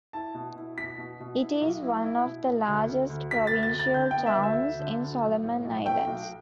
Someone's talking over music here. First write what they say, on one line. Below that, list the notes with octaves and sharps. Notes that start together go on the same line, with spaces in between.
It is one of the largest provincial towns in Solomon Islands.
E4 A5
B2
E4
B2 B6
B2
B2
E4
B1
E4
E4
B2
B2
D2
D2
D2
D2 B6
A6
D2
A6
D2
A6
D3 G6
G5
B3
E5
D2
E5
D2
D3
D2
B1
A2
B1
A3 G5
B1